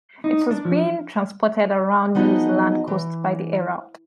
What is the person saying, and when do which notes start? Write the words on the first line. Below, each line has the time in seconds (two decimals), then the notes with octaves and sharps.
It was being transported around the New Zealand coast by the Herald.
0.24 D#4
0.51 D4
0.65 F3
2.15 F3 B3 D#4 F#4 G#4 D#5
2.87 E3